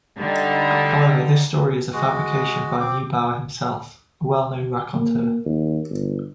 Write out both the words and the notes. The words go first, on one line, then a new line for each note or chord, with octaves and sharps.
However, this story is a fabrication by Neubauer himself, a well-known raconteur.
D3 G3 D#4
G#3 F#4
C4 D6
A#3
D#2
G1